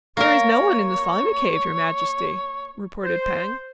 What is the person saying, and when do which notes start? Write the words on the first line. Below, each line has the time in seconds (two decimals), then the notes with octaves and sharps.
"There is no one in the Slimy Cave, Your Majesty," reported Pang.
0.17 A#3 A#4 C#5
3.03 C5